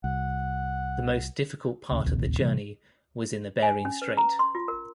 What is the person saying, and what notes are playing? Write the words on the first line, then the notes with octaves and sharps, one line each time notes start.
The most difficult part of the journey was in the Bering Strait.
C2 F#5
D2 C#3
D1 A#1 D#2 C3
C3 E3 G3
G#5
C#4
B4
A#5
C6
F4
A#4